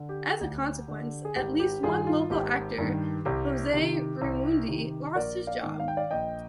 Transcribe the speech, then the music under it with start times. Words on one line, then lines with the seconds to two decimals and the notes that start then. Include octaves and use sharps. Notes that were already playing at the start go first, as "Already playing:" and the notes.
As a consequence, at least one local actor, Jose Reymundi, lost his job.
Already playing: D3
0.09 G4
0.41 D2
0.88 D3
1.25 G#4
1.36 G#1 G4
1.59 G4
1.83 G2 D#3 F4 G#4
2.07 F4
2.30 G#1 G4
2.78 G2 D#3
3.25 C2 G4
3.73 C3 D#3
4.21 C2
4.68 C3 D#3
5.15 A#1 A#4 D5
5.47 D5 F5
5.63 G#2 D#3
5.80 F5
5.88 G5
5.97 D5 F5
6.11 A#1 D#5 G5